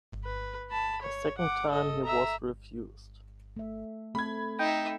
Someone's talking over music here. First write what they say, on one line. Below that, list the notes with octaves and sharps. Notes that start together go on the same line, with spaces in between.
A second time he was refused.
B4
A5 B5
C#5
F#5 D6
A4 D#5
E5 A#5
A3 E5
A3 C4 A4 B5 G#6
D#4 E5 G5